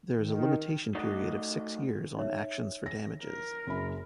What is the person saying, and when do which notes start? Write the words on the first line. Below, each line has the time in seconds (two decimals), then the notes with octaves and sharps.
There is a limitation period of six years on actions for damages.
0.17 D#3
0.95 A3 D#4 F#4 D5 D#5
2.17 D#4 C#5 E5
2.86 A#6
3.24 A#4
3.67 F#1 F#2 B5